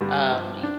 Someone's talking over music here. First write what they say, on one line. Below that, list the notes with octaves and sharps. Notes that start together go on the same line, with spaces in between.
um, y
G2 D3 G3
G2 F3
D4